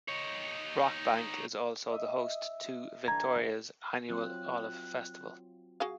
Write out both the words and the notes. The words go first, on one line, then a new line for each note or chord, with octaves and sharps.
Rockbank is also the host to Victoria's Annual Olive Festival.
D#4 C#5
D#5 E5
D3 E3 A#5 G#6
F#3 C4 F4 F#6
F#4 G#4 F5